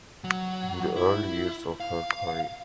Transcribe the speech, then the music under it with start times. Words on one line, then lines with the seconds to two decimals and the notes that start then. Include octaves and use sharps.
In the early years of her career.
0.24 F#3
0.96 E4
1.80 F5